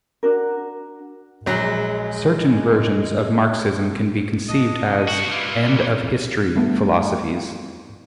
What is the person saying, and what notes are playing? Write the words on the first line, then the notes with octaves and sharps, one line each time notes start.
Certain versions of Marxism can be conceived as "end of history" philosophies.
D4 F#4 A#4
A#1 F#3 G#3
D4 D#5
C2 F#4
G3 A#3 E4 F4 B4
E2 C3 D#3
G3 A3 B3 D4